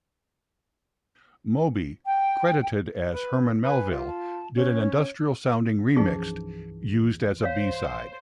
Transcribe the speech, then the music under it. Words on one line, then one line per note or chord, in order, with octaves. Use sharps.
Moby, credited as "Herman Melville", did an industrial-sounding remix used as a B-side.
G5
B4
B4 G#5
F4 G4
A5
C#4 C#5
C2 G2 E3 F3 C#4 D#4 G#4
C5 C#5 F5